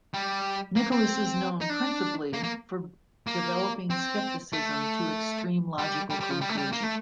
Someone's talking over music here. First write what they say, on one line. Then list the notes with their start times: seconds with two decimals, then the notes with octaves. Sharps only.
Nicholas is known principally for developing skepticism to extreme logical conclusions.
0.14 G3
0.76 A#3
0.92 C4
1.61 D#4
1.70 D4
2.33 A#3
2.43 A#3
3.27 A#3
3.90 C4
4.53 A3
5.78 G3
6.10 G3
6.20 G3
6.30 F3
6.41 G3
6.50 A3
6.57 G3
6.72 A#3
6.83 A3